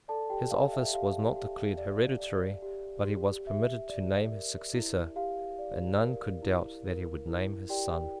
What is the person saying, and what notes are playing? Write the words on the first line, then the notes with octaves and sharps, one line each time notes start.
His office was not declared hereditary: but he was permitted to name his successor; and none could doubt that he would name his Son.
A4 D5 A5
G4 G5
D5 F5
E5
G4 F5
G4
D5
D5
G4
G4
G4 E5
D5
A#4
E4
G4 F5
D5
A#4
E4
A#4
E4
G4 D5 G5